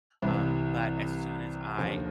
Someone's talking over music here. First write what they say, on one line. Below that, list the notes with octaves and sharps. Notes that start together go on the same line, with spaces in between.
um, but as soon as I
C2 C3 E3
D#2 D3 F3